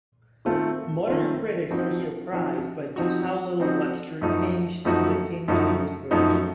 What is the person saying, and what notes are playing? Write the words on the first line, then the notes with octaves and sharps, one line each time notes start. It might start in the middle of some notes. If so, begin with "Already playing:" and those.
Modern critics are surprised by just how little Webster changed the King James Version.
D#3 A3 C4 F4
D#3 A3 C4 F4
F3 C4 D#4 F#4
F3 C4 D#4 F#4
F3 C4 D#4 F#4
F3 C4 D#4 F#4
F#2 F3 A3 D#4 F#4
F#2 F3 A3 D#4 F#4
F#2 F3 A3 D#4 F#4
F#2 F3 A3 D#4 F#4